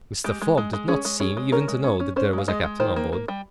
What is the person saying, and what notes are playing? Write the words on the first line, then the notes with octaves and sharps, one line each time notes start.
Mr. Fogg did not seem even to know that there was a captain on board.
G#3 G4
G#3
G#3
G#3
C#4 G#4
G#3
C#4 G#4
G#3
C#4 A#4
G#3
C#4
C#4
C#4 C5
G#3 F5
G#3 D#5
G#3
D#3 C5
A#3
A#3
G3